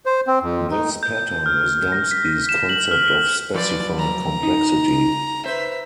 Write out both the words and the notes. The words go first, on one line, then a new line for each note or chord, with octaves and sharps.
This pattern is Dembski's concept of specified complexity.
C5
C4
F2
D#4
G6
F6
A#6
B6
E7
F#7
F6
F3 F#3 B4 D5
A#5
D#4
B4 C5 E5